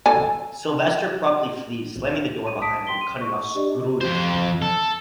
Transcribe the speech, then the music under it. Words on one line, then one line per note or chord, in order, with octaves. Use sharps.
Sylvester promptly flees, slamming the door behind him and cutting off Scrooge.
A4 G#5
D#7
A5 D#6 B6 D7
G5 C6 B6 G7
D#7
C#6
D4 G4 D5 D#5
F2 C5
A4